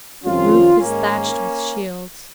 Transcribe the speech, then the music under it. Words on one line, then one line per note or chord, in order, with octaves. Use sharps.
The roof is thatched with shields.
F2 C3 D#3 C#4 F4
G#2 D#3 A#3 C#4